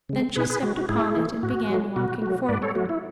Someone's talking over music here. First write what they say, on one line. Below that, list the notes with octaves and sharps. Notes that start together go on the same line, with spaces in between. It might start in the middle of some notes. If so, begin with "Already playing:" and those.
Then she stepped upon it and began walking forward.
C#3 G#3
B2 G#4 B4
G#4 B4
G#3 F#4
F#4
G#2 E4 G#4
E3 A3
A2 F#4
F#3 A3
B2 F#4
F#3 A3 F#4
G#2 B4 D5
A4 C#5
F#3 A3 F#4
E4